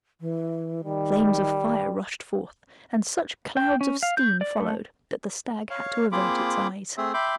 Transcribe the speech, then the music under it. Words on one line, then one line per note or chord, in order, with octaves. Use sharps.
Flames of fire rushed forth, and such clouds of steam followed that the stag had to avert its eyes.
E3
D#3 G3
G5
C#4
F5
G6
D5
A3
C#5 F5
A#3 C4 F4 G#4 B5 D6
A3 C4 G#4 E5
E5 G5 B5 C6 D6